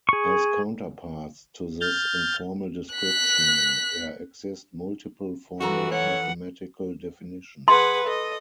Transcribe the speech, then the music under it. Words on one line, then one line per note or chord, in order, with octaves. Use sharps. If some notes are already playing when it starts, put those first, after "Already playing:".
As counterparts to this informal description, there exist multiple formal, mathematical definitions.
G#4 C#6
F6 G6 A6
F#6 B6
F2 E3 F#4 A4 A#5
C#5 F#5
G#4 B4 F#5 C6
A4 D#5